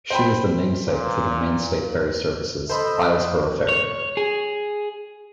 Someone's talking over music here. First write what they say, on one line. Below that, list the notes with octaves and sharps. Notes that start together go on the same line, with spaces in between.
She is the namesake for the Maine State Ferry Service's Islesboro Ferry.
C5 G5 B5
A#2
A4 C5 D#5 B5
C#5
G#4